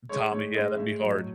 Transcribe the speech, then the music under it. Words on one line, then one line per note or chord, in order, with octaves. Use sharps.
Tommy, yeah, that'd be hard.
G#3 C#5
A2 C#5
G#3 D#5
A2 E5
F#3 D#5